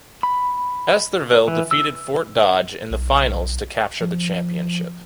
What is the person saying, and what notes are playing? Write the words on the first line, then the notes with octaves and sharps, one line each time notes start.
Estherville defeated Fort Dodge in the Finals to capture the championship.
B5
E3
E6
B1
F3